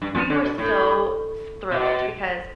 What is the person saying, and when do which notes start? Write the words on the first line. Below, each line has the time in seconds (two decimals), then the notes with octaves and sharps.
We were so s thrilled because
0.02 G2
0.15 F2 F3
0.30 D3
0.44 B2
0.58 A2
1.71 B2